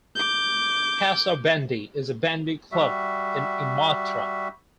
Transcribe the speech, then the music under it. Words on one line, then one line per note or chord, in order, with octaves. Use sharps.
PaSa Bandy is a bandy club in Imatra.
D6 G6
G3 F#4 E5